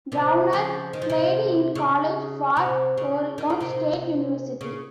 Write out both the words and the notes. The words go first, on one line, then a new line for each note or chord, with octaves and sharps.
Browner played in college for Oregon State University.
C3 D#3
C#3 F3
D#3
F3
C3 D#3
C#3
C3
C#3
D#3
C#3
C3 D#3
C#3